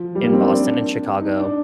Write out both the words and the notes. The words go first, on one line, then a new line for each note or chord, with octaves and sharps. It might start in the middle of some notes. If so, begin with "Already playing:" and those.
in Boston and Chicago,
Already playing: F3
G3
A#3
C4
D4
D#4
D4